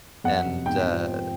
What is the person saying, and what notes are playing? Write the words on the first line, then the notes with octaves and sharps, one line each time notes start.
And, uh
F2 F#5
C3
G#2 G5
F3